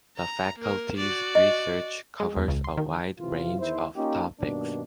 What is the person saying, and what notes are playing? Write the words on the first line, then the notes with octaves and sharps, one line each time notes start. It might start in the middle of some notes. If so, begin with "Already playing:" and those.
The Faculty's research covers a wide range of topics.
A#5
A#3 A#4
F#4 D5
D#5
G#3
E2
C#2
C6
D#3
C3 E3 F4
E2 D#3 E4 C5
A#3 C#4 D#4 F4 G4
G2 B2 D#3 A#3 D4